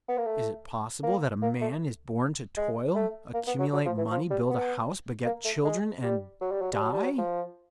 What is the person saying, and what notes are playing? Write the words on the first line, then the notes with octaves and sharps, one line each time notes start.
Is it possible that a man is born to toil, accumulate money, build a house, beget children, and--die?
B3
A#3
A3
A#3
A#3
A3
G#3
A3
A#3
B3
F#3
F#3
F3
E3
F3
G3
B3
A#3
A3
G#3
G3
F#3
G3
F#3
G3
F#3
G3
F#3
F3